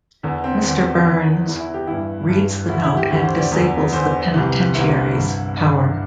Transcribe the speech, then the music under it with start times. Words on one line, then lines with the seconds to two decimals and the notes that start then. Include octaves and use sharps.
Mr. Burns reads the note and disables the penitentiary's power.
0.23 E2 D3
0.44 C4
0.64 E2 D3
1.06 E2 E3
1.46 E2 E3
1.60 E4
1.74 G4
1.87 G2 E3 E4
2.29 G2 E3
2.69 D2 D3 E4
2.83 E4
2.97 G4
3.11 D2 D3 G4
3.24 C5
3.39 D5
3.51 E2 D3
3.93 E2 D3 C5
4.34 C2 C3 E3
4.75 C2 C3 E3 E4
5.16 G2 D3
5.57 G2 D3 D4